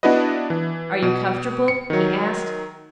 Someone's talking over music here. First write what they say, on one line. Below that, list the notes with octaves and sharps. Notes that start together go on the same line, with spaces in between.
"Are you comfortable?" he asked.
B3 D4 E4 F#4 B4 D#5
E3
B2
C#7
D#3 F#3